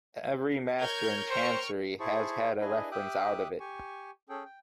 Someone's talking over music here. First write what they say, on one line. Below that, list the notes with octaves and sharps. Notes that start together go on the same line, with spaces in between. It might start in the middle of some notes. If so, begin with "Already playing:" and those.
Every master in Chancery has had a reference out of it.
A#4 C#5 F6 G6 G#6
C5 G5 C#6 F6
E4 G#4 C5 A5 C#6
D4 E4 G#4 B4 D#5 G#5
G4 E5 G5 D6 D#6 F#6
G4 G#5 C#6
C#4 G#4 A4 G5
G5